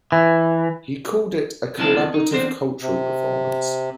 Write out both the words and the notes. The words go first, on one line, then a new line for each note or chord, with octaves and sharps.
He called it a "Collaborative Cultural Performance".
E3
E2 C3 E3 F3 G#3 A5
D#4
E2 C4 D4 C5
C3